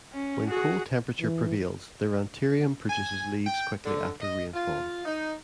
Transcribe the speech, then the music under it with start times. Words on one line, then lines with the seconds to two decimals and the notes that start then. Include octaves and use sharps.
When cold temperature prevails the Rhanterium produces leaves quickly after rainfall.
0.13 C#4
0.48 F#4 G#4
1.20 E3
2.90 G#5
3.45 G5
3.83 D3
4.21 D#5
4.54 F4
5.05 D#4